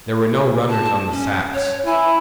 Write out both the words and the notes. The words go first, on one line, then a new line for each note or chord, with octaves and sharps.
There were no runners on the sacks.
A5
C#4
C#5
E4 G#5